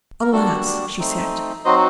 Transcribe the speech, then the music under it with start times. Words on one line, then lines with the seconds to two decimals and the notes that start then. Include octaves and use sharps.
"Alas!" she said.
0.21 A#4
0.31 G3 D4 F#4 A4
0.99 A3 C4 D#4
1.65 F#3 C4 D#4 F#4 C5 D#5